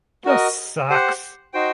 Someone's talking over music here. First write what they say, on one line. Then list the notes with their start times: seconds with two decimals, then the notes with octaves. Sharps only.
This sucks.
0.25 F#4 A#4 D#5
0.90 G4 C5 F#5
1.54 D#4 F#4 C5 G5